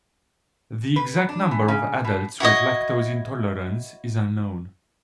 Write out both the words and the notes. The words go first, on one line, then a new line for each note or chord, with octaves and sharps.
The exact number of adults with lactose intolerance is unknown.
B4
D4
E3
C#3
B2
E4 F#4 C#5 D#5